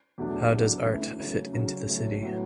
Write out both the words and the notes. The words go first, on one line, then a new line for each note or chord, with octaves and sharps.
How does art fit into the city?
E2 B2 F#3 A3 D4
C#3 F#3 B3 D4
D2 C#3 E3 A3 E4
C#3 F#3 A3
C#3 F#3 C#4
A2 F#3 A3 C#4
A2 F#3 B3